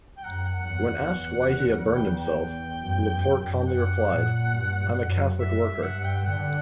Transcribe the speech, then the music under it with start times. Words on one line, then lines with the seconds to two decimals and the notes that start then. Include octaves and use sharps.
When asked why he had burned himself, LaPorte calmly replied, I'm a Catholic Worker.
0.17 G5
0.23 F#2 F#5
0.44 F#5
0.66 E2 F#5
0.88 F#5
1.95 G5
2.17 G5
2.82 F#2
3.10 F#2
3.39 F#2
3.68 F#2 F#5
4.10 A#2
4.55 G2
4.97 F#2
5.40 G2 E5
5.62 E5
5.83 G2 F#5
5.99 F#5
6.05 G5
6.26 D3 F#5